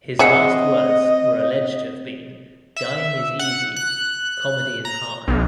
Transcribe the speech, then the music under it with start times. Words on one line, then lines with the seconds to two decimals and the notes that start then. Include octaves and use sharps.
His last words were alleged to have been dying is easy; comedy is hard.
0.19 C4 G#4 D#5 E5 F#5
2.76 E5
3.39 F#5
3.76 F#6
4.85 A#5
5.28 B1